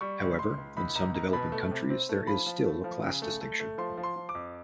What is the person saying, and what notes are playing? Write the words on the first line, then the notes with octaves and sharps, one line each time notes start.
However, in some developing countries, there is still a class distinction.
G3 C#6
C#2
C#2 C6
C#2
C#2 B5
C#2 A#5
C#2 A#5
B2 B5
A3
C3
C4
A3
F3 B5
F3
A3
F3
C#3
A3
A3
A3
F3 C6
F3
C6
F3
D6
F2